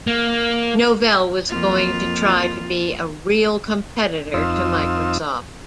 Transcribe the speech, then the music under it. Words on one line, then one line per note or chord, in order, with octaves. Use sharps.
Novell was going to try to be a real competitor to Microsoft.
A#3
F2 A#3 F4
F2 C4 D#4 F4 E6